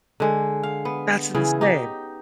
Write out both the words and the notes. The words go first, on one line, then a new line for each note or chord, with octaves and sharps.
That's insane.
D3 G#3
F5
B3
C#3 E3 G#4
D#4 G4 D#5